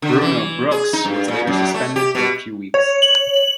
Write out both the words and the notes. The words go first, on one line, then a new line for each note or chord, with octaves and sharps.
Bruno Brookes was later suspended for a few weeks.
D3
E3
G#4
D#4
G2
A#2
F#2
A3
G4
B2
C#5
F#7